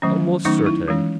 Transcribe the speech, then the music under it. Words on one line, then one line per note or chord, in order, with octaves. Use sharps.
Almost certain.
D#3 F#3 A3 C#4
D#3 F#3 A3 C#4 D#4
D#4
E4
E3 G#3 C#4